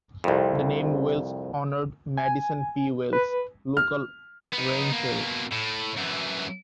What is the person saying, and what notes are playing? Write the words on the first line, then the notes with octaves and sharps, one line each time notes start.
The name Wells honored Madison P. Wells, local rancher.
C2 F2
G#5
B4
F6
B3 D#4
B2 A#3
A2
F#2 E3